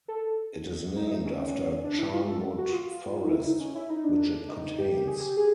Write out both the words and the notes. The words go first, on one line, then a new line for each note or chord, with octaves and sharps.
It is named after Charnwood Forest, which it contains.
A4
D#4
E4
D#4
C#4
D4
E4
F4
A4
F#4
F4
D#4
E4
D#4
C#4
E4
D#4
D4
D#4
G4
G#4
G4
G#4